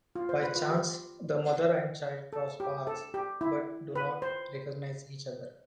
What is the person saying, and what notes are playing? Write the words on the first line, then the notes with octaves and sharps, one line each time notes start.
By chance, the mother and child cross paths, but do not recognize each other.
F4
C5
B4
F4
G4
A4
G4
A4
G4
E4
B4
C5